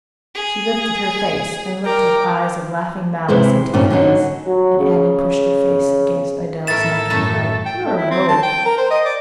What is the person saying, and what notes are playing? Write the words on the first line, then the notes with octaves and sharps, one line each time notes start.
She lifted her face, and looked with eyes of laughing malice into Annie's, and Annie pushed her face against Idella's neck and cried, "You're a rogue!"
G#4
A#4 G5 D6
C3 G#3 E4 B4 C5
G2 A#2 D#3 C4 C#4
D3 F#3 C#4 D#4
F#3
C#3
A2 E4 A4 A#4 A6 E7
F#2 A2 A3
G5
A3
E4
C4
A5
G5
A#4
C5
D#5
D5